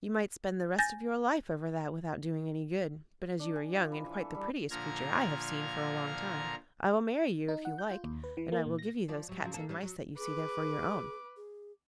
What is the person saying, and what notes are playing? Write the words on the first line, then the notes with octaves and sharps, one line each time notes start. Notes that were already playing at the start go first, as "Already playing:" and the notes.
'You might spend the rest of your life over that without doing any good, but as you are young, and quite the prettiest creature I have seen for a long time, I will marry you if you like, and I will give you those cats and mice that you see there for your own.
G#5 G6 A6 A#6
D4
G#5
F3
B4
E3
A4
G3
A#2 D3 F3 A#5 F6 G#6
D#4
F#5
G6
F4
D#2
B4
E3
A#3
A#2
A#6
F3 D5
F#3 G3
C#3 F3 F#3
A#3 D4 A4
G3 C#4 D4
F#3
G#4 B4 D6
G#4